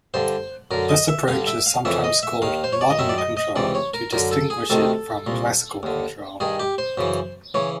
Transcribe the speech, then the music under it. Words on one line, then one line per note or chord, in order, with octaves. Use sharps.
This approach is sometimes called "modern control" to distinguish it from "classical control".
G2 D3 C5
F#2 D3 A#4
D#5
E5
G2 D3 F5
E5
F5
F2 C#3 E3 E5
D#5
E5
D#2 D#3 F5
C5
C#5
D5
D#5
F#2 D#3 E5
D5
D#5
D#5
C#2 C3 E3 D5
C#5
A#4
F#2 D3 A#4
A4
G#4
D2 C3 D#3 A4
C2 A#2
D#2 D3
G2 D#3 G#4
G4
C5
F#2 C#3 E3
C#3 E3 C#5